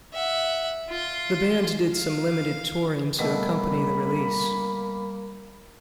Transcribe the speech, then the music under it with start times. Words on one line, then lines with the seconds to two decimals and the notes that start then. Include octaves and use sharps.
The band did some limited touring to accompany the release.
0.13 E5 F#5
0.89 F4 C6
1.93 F5
3.19 B2 G3 A3 A#3 B5